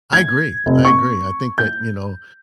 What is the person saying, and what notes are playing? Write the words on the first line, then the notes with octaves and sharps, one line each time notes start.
I agree, I agree, I think that, you know,
G#6
F1
C#6
G6